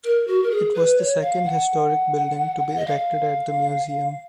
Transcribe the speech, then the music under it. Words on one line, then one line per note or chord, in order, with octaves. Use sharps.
It was the second historic building to be erected at the museum.
A#4
F#4
A#4
G#4
B4
C#5
F5
F#5
D#5
F5